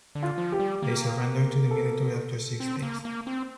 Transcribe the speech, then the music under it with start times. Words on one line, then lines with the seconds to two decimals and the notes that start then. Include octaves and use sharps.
They surrendered to the military after six days.
0.15 D3
0.23 F4
0.38 F3
0.52 G4
0.60 G3
0.82 A#3
1.71 A4
2.60 C4
2.82 A#3
3.05 A#3
3.27 C4